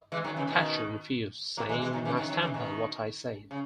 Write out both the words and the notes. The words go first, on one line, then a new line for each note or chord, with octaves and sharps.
Thatcher refused, saying I stand by what I said.
E3 G#3
D#3 F#3
C#3 E3
B2 D#3
F#3 A#3
E3 G#3
E3 G#3
D#3 F#3
C#3 E3
D#3 F#3
D#3 F#3
C#3 E3
B2 D#3
C#3